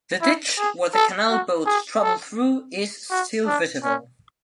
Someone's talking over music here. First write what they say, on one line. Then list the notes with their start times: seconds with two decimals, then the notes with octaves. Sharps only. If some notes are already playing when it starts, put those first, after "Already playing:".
The ditch where the canal boats traveled through is still visible.
0.22 E4
0.58 G#4
0.94 A4
1.30 F#4
1.66 G#4
2.02 A4
3.11 F#4
3.47 D4
3.84 C#4